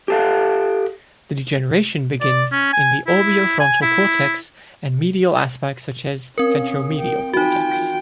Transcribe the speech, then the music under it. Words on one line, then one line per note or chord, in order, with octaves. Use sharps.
The degeneration begins in the orbitofrontal cortex and medial aspects such as ventromedial cortex.
G4 A4 F5
D5
C#4
G#5
E4
G#5
E4
C4 C#4 A#4
G5
D#4 F4 F#4 G5